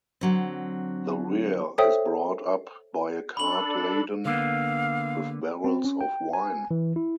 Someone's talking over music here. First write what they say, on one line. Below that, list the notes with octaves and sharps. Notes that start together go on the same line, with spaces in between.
The rear is brought up by a cart laden with barrels of wine.
D3 F#3 C4
A4 C5 C#5 E5 G5 D#6
D4 A4 B5 F#7
D3 A#3 B3 F5
C4
C#4
G5
G#5
E3
E4